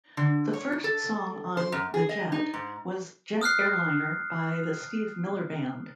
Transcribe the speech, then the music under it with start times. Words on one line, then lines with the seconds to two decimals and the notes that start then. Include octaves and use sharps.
The first song on "The Jet" was "Jet Airliner" by The Steve Miller Band.
0.17 D3
0.53 C#5
0.84 A4
1.57 C5
1.72 F#2
1.94 G#4
2.09 D#5
2.32 D#4
2.54 G#2
3.41 D#6 F6 F#6 C7